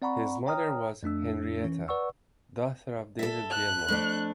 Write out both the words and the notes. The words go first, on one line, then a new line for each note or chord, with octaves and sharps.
His mother was Henrietta, daughter of David Gilmour.
C4 D5 F#5 A#5 B5 C#6
C#5 G5 A#5 D#6 F6
F2 A3 D4 E6
E3 C#4
B4 D5 F#5 C#6 E6
A4 E5
F#6
F2 A3 D4